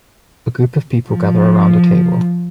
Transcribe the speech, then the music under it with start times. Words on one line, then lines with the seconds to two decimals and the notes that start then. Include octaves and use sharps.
A group of people gather around a table.
1.09 F3